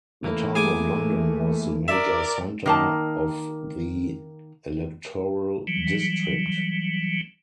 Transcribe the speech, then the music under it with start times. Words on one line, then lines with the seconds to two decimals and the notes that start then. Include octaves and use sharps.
The town of London was the major centre of the electoral district.
0.24 E3 A3 A#3 E4
0.55 G#4 G#5 D6
1.88 A#4 D5 E5
2.66 D#3 A#3 A5
5.67 E3 F#3 G3